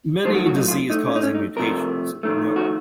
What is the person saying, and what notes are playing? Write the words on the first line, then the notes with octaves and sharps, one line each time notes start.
Many disease-causing mutations have been noted.
F#2 D#3 F#3 A3 C5
F#4
F#4
D#4
F4
A2 A3 D#4
C#4
D#4
C#4
D#4
C2 C3 F3 A3 A#4
F2 D#3 A3
F#4